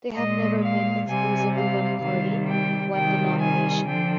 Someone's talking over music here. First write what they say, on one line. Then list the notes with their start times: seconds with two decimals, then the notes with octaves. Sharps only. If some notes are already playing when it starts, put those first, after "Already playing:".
They have never been exclusively one party, one denomination.
0.16 A#2 G#3 D#5
0.62 F5
1.08 C3 G3 G#5
1.56 F5
2.01 C3 D#3 G3 F5
2.48 G5
2.94 C3 D#3 G3 G5
3.39 G#5
3.86 D3 F3 G5